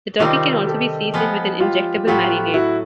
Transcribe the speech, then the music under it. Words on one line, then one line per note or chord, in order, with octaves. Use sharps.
The turkey can also be seasoned with an injectable marinade.
C3 D#3 G3 C4 D#4 F4 G4
G4 A4
F3 G#3 B3
F4 G4
A2 F#3 B3 F4 G4
E4 F#4